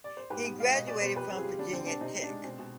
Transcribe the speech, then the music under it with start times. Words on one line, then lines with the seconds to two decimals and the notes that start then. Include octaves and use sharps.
He graduated from Virginia Tech.
0.04 D5
0.17 C5
0.30 G#2 G4 B4
0.44 B3
0.58 G#3 F5
0.73 B2 D#5
0.87 B2 D5
1.01 B3 C5
1.16 F2 G4 B4
1.30 C4
1.37 F4 G#4
1.45 G3
1.59 D3 D4
1.72 D3 C4
1.86 C4 D4
2.01 C3 C4 D#4
2.16 C4
2.23 D4
2.29 G#3
2.44 B2 C4
2.59 B2